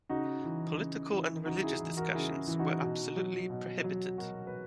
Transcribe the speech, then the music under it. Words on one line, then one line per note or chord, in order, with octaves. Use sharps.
Political and religious discussions were absolutely prohibited.
C#3 D#4 F#4
E3
C#3
E3
C#3 D#4 F#4
E4 G#4
E3
F#4 A#4
C#3 E4 G#4
E3
D#4 F#4
B2
F#3
B2
F#3
B2 F#4 A#4
B4